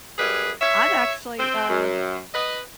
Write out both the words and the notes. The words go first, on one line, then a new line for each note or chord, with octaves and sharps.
I've actually, uh,
F#2 G3 G#4 B4
C#5 E5
C4
F#2
B4 D#5